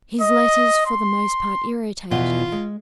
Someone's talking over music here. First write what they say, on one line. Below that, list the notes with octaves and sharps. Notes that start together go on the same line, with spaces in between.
His letters for the most part irritated her.
D#5
C6
E2 B2 E3 F4
G#3